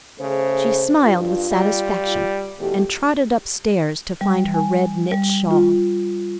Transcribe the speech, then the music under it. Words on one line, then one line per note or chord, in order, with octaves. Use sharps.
She smiled with satisfaction, and trotted upstairs to find her red knit shawl.
C#3 A3 G#4 C5
G2 F4
G3
E2 B2 A3 G4
G3
G#5
G3
F4